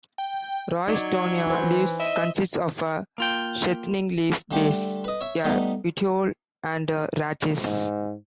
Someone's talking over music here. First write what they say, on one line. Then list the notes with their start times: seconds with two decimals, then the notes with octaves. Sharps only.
"Roystonea" leaves consist of a sheathing leaf base, a petiole, and a rachis.
0.18 G5
0.88 F#3 D#4 D5 G#6
1.47 E3 E4 C5
1.99 D#5 E5
3.18 A#3 F4 G5
4.51 D3 G3 A3 G4 C5
5.04 B4 D#5
5.21 C#5 E5
5.44 G3 A3 B3 D#4
7.62 G#2